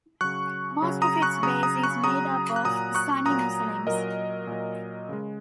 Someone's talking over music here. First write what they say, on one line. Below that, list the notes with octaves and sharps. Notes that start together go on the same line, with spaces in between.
Most of its base is made up of Sunni Muslims.
C#3 F#3 C#6 F#6
C#3 F#3
A#5 D#6
C#6 F#6
C#3 F#3 A#5 D#6
A#5 D#6
C#6 F#6
C#3 F#3 A#5 D#6
F#6
A#2 F#3 A#5 D#6
C#6 F#6
A#2 F#3 A#5 D#6
A#2 F#3 A#4 D#5
A#2 F#3
C#3 G#3